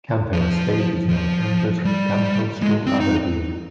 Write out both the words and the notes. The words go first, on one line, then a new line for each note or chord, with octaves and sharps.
Camphill Estate is now a campus of Camphill School Aberdeen.
F3
F3
G3
G#3
C4
D#4